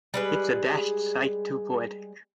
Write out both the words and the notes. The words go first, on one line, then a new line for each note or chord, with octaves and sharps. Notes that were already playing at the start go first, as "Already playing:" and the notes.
It's a dashed sight too poetic.
G3 G#3 B4